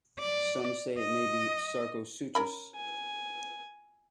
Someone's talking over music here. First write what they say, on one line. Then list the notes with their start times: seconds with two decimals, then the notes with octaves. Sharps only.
Some say it may be Sarcosuchus.
0.19 D5
0.99 D#5
2.35 C#4 A#4 B5
2.75 G#5